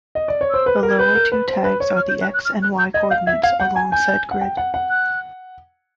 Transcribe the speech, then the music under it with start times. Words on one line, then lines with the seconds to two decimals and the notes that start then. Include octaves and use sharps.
The lower two tags are the "X" and "Y" coordinates along said grid.
0.15 D#5
0.28 D5
0.41 C#5
0.50 C5 E6
0.66 B4
0.83 A#4
0.89 G#6
0.99 B4 G6
1.15 A#4
1.32 B4
1.48 C5
1.64 B4
1.80 C#5
1.96 F6
2.09 G6
2.21 F#6
2.34 F#6
2.45 F6
2.63 F#6
2.79 G6
2.94 D#5 G#6
3.10 F5 G6
3.27 E5 G#6
3.43 F5 G#6
3.60 F#5 G6
3.76 G#5 G#6
3.92 G#5 G6
4.31 F#5
4.41 G5
4.57 F#5
4.74 F#5
4.90 F#6